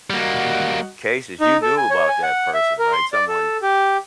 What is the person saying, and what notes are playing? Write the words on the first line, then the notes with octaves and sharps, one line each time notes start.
cases you knew about that person, right, someone
G3 A#3 F#4 D#5 F#5
D#4
A4
G#5
C#5
G#5
F#5
E5
A#4
C6
D5
A4
G4